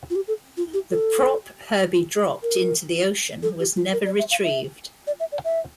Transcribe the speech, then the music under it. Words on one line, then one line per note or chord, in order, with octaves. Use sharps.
The prop Herbie dropped into the ocean was never retrieved.
F4
G4
A4
F4
G4
A4
A#4
A4
G4
F4
A#4
D5
E5
F5
E5
D5
E5
D5
E5